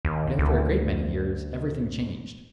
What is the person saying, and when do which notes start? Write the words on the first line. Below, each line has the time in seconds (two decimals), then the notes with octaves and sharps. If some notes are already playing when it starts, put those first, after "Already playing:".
But after a great many years, everything changed.
0.05 D#2
0.39 D2